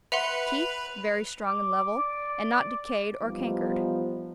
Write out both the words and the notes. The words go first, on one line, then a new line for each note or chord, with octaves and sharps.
TEETH--Very strong and level, and not decayed or cankered.
B4 E5 F#5 C6 F7
D6
D5
E2 F3 G3 B3 D#4